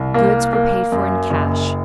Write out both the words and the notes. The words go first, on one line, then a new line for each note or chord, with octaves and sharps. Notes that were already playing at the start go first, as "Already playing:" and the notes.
Goods were paid for in cash.
Already playing: C2
A#3
A#3
F#2
F#1